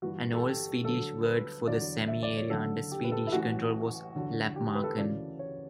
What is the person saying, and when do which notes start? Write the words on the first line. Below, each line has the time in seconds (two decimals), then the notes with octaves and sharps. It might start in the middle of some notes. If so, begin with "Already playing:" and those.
An old Swedish word for the Sami area under Swedish control was "Lappmarken".
0.02 G1 G2 E3 F#4
0.33 A4
0.43 G4
0.84 D2 D3 F#3 A4
1.26 B4
1.67 E2 D3 F#3 D5
2.08 E5
2.23 D5
2.37 C#5
2.50 F#1 F#2 D3 A4
2.92 G4
3.04 B4
3.12 A4
3.27 E4
3.32 A1 A2 E3 F#4
4.15 E2 D3 F#3
4.56 G4
4.75 B4
4.83 A4
4.97 D2 C#3 E3 D5
5.39 C#5